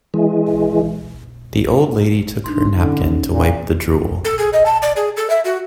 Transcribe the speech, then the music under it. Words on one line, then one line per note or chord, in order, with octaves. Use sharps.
The old lady took her napkin to wipe the drool.
E3 G#3
D4 D#4 C6
D3 C#4 D#4
A#2
A4
G#4
D#5
A5
D5
G#4
A4
E5
F#4